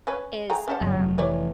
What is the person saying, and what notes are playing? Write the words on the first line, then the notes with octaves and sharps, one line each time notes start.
is, um,
C#4 B4
A3 G#4 G5 A#5
C#4 G4 F#5 A5
G2 D3 F#3
F1
E3 G4 C#5 D5